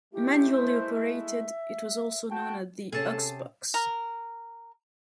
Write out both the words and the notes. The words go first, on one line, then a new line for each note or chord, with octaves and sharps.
Manually operated, it was also known as the Ox Box.
G#3 A3 E4 G4
C5
E5
F#4 G5 A5
C3 C#4 G#4 A4 A5
A#4